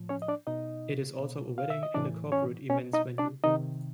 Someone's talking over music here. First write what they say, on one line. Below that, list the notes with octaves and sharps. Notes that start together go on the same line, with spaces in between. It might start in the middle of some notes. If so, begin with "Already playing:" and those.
It is also a wedding and corporate events venue.
Already playing: A2 F3
C#4 C#5
D#5
D4 D5
B2 D#4 D#5
B2
F5
E5
D#5
A2 E3 D4 D5
C#4 C#5
B2 C#4 C#5
D#4 D#5
D4 D5
C3 D#3 D#4 D#5